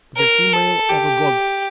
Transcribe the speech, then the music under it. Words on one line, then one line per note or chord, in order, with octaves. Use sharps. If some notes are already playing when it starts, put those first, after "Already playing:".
The female of a god.
A#4
A4
G4